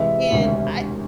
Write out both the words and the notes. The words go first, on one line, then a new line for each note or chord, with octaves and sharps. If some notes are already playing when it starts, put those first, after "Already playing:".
and I
Already playing: C3 E3 G#3 E5
E1 D2 C3 D#3